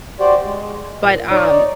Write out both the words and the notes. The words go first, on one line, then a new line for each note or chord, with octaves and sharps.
But, um,
F#4 G4 C5 D5
G#3
A#2
D#4 C#5 D5